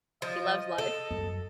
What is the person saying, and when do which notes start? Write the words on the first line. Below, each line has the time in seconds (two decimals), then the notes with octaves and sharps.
he loves life.
0.22 F3 D#5
0.78 A4
1.11 F#2